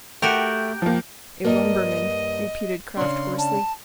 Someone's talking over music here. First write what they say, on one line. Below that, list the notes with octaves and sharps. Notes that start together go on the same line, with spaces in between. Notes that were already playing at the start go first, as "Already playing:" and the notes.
"A lumberman," repeated Kraft, hoarsely.
A3 F#4 G4 A#4 G5
F3 A#3
G2 A#3 D#5
C#3 D4 C6
A5